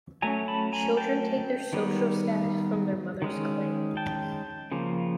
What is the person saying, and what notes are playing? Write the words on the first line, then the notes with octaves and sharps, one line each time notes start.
Children take their social status from their mother's clan.
F#3 A3 C#4 G#5 A#5
A5 B5
G#5 A#5
G5 A5
D#3 G3 B3
D#3 G#3 C#4
G5 A5
C#3 F3 A#3